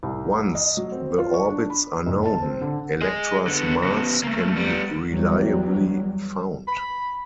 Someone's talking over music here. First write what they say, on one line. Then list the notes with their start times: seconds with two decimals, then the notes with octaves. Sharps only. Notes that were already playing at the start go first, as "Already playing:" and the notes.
Once the orbits are known, Elektra's mass can be reliably found.
0.03 C2
0.55 D#5
0.77 F#3
0.92 C4
1.18 F4
1.34 C#6
1.49 D4
1.70 B5
2.06 F#1
2.25 A5
2.42 C4
2.61 D3
3.02 G#4 D#5
3.47 D3 B3
3.83 C#3 B3
4.23 A3 A#3
4.56 G3 B3
5.08 E2 F#3 G3
6.68 B5